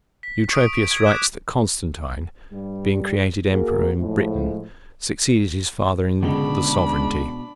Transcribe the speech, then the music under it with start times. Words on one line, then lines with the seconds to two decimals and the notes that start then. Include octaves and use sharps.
Eutropius writes that Constantine, being created emperor in Britain, succeeded his father in the sovereignty.
0.23 B6
0.51 C#6 D#6 D7
0.75 D7
0.91 G#6
1.05 D6 D#6 F#6 B6 E7
2.53 G2 G3
3.51 A#3 F#4 G#4 A#4
4.00 A2 F3 G#3
6.23 C#2 G#2 B2 D3 G#3 D4 B5